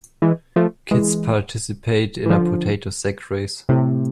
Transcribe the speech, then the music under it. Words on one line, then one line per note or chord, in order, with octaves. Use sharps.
Kids participate in a potato sack race.
E3 G#3
F3 A3
E3 G#3
E3
D3 F3
A2 C3